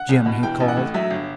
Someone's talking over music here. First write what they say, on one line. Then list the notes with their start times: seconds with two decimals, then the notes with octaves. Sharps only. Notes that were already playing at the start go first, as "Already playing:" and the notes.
Jim!' he called.
Already playing: F#5
0.09 C2
0.26 B2
0.43 E3 G5
0.60 A1
0.68 F#5
0.77 A2
0.94 F#3 E5
1.11 G1